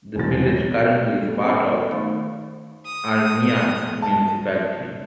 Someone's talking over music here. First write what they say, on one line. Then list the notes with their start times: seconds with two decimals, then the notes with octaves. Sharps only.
The village currently is part of Armyansk Municipality.
0.15 E1 C2 F#3 A6
0.48 C#5 A#6
1.20 G3 A3 G4
1.41 B3 C#4 B4 G5 A5 B5
1.91 D#3 A3 D#4 C5 F5
2.86 D#6
4.02 A5